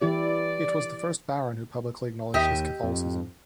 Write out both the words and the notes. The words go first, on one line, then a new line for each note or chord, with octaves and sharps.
It was the first Baron who publicly acknowledged his Catholicism.
E3 E4 G4 D5
D#2 G4 D#5 E5
F2